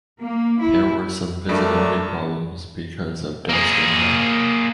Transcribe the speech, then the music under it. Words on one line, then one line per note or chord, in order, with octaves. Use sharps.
There were some visibility problems because of dust and mud.
A#3
E4
G2 F#3 A3 D4 F#4 A#4
A#3 G#4